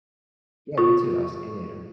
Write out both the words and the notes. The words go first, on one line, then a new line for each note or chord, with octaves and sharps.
Yeah, you too. I'll see you later.
F4 C#6